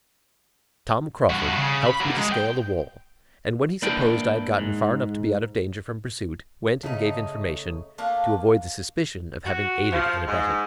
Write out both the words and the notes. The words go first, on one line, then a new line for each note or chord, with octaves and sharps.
Tom Crauford helped me to scale the wall; and when he supposed I had got far enough to be out of danger from pursuit, went and gave information, to avoid the suspicion of having aided and abetted.
G2 F#4
C#3
B5
F#3 A#3
G#3
G5
A#3 D4 E4 B4 G5
G#2
C#3 A3 D#4
A3 A#3 D4 F4
F#4
F3
G#2